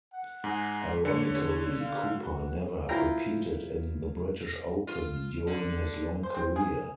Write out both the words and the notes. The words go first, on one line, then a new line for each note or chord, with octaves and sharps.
Ironically, Cooper never competed in the British Open during his long career.
F#5
G#2 G#4 F#5
D3 C#5 C#7
F5
F#4
E4 F4 G5 A#5
F4
D3
C5
C4
G#4